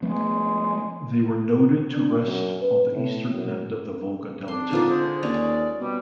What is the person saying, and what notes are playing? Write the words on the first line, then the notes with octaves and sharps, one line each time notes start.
They were noted to rest on the eastern end of the Volga delta.
F3 G#3 A3 B3
D4
F#2
B4
A2
F#2
G#1 D4 C6
D3 D#4 F4 D6
G#3 C5
D#2 C#4 D5
B2 G3